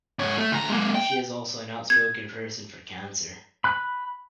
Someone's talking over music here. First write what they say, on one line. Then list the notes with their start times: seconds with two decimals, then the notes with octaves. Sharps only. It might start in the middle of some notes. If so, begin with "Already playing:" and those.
She is also an outspoken person for Cancer.
0.19 G#2 C#5
0.38 A3
0.52 D2 A#5
0.70 G#3 A#3
0.95 G5
1.90 G#6
3.64 B5 F#6